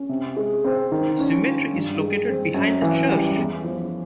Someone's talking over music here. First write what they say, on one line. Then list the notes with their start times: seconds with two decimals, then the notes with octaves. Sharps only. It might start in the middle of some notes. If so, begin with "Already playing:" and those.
The cemetery is located behind the church.
Already playing: C#4
0.09 C3
0.37 G#3
0.64 C4
0.92 D#3
1.19 C#4
1.46 F4
1.73 G2
2.00 G#3
2.28 C4
2.54 F#2
2.82 E3
3.09 G3
3.37 E2
3.64 F3